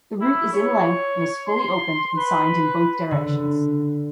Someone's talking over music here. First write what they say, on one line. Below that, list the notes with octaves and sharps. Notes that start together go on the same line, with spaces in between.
The route is in length and is fully open and signed in both directions.
E4
C#5
C6
B4
D3